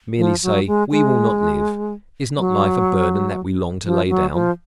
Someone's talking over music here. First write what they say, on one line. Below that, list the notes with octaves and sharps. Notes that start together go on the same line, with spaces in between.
Merely say: 'We will not live.' Is not life a burden that we long to lay down?
F3
F#3
G#3
G#3
F#3
F3
F#3
F3